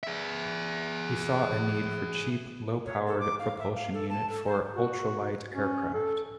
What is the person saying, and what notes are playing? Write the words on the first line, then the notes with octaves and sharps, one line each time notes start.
He saw a need for a cheap low-powered propulsion unit for ultralight aircraft.
G#4 E5
C#5
A4
D6
F5
E5
F5
A4
A5
A4
C5
F#4
C#4
A4